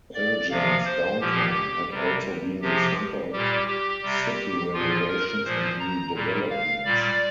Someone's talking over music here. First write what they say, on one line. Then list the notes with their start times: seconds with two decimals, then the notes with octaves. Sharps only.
Elgin's downtown had also been the center of city renovations and new developments.
0.15 D5
0.50 C3 F3 F5
0.85 C5
1.21 A#2 F3 G4
1.91 C3 G3
2.62 C3 F3 G4
3.32 A#2 G3 G4
3.67 G4
4.03 C3 G3
4.73 A#2 F3 F4
5.09 A#4
5.44 A#2 F3 C5
5.79 A#5
6.14 A#2 G3
6.50 F5
6.85 A#2 G3 D5